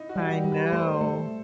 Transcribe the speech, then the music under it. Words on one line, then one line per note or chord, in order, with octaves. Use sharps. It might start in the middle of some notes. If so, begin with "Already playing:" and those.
I know.
Already playing: D#4 E4
F#4
G3
G4
G3
B4
A3 C5
A3 A4